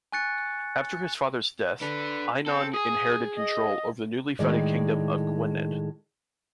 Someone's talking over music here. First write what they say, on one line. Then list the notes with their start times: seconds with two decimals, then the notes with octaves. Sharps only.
After his father's death, Einion inherited control over the newly founded kingdom of Gwynedd.
0.12 G#5 C#6 F#6 A6 C#7
1.81 D4 A4 B4
2.46 C4 A4
2.74 G#4 D#6
3.38 D#5
4.39 A2 D#3 G#3 D5